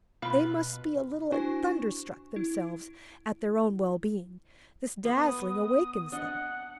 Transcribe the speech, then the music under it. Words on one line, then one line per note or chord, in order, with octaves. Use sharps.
They must be a little thunderstruck themselves at their own well-being; this dazzling awakens them.
B2 F4 B4 F5 B5
D4 E4 F#4 C5 G#5 C#6
C#6
E4
B3 D#6
D4 D#5 F#5